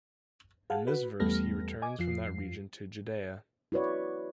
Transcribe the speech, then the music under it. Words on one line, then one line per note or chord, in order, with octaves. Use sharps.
In this verse he returns from that region to Judea.
G#4 F5 F#5 A5
F#4 B4
E2 G3 A3 B3 F6 A#6
D#5 G#5 D6
F2 F3 F4 C7
E4 F#4 B4 C#5 D5